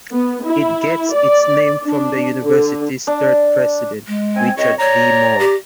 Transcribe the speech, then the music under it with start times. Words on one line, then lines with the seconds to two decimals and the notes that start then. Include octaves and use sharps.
It gets its name from the university's third president, Richard V. Moore.
0.12 B3
0.44 E4
1.13 D5
1.84 D4
2.43 D3
3.07 D4
4.08 G#3
4.36 C4 G#5
4.57 C#2 C4 C#5 D#5
4.79 C#5 D5 A#5
5.40 G4